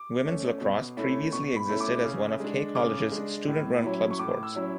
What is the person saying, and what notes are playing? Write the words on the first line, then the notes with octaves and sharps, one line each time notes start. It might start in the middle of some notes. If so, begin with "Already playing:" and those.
Women's lacrosse previously existed as one of K College's student-run club sports.
Already playing: D6
A3 C#4
B2
A3 C#4 E4
B2 C#6
B5
A3 C#4 E4
D6
C#3
G#3 D4
C#3 D6
G#3 D4
A2
F#3 C#4 E4
C#6
A2 D6
E6
F#3 C#4 E4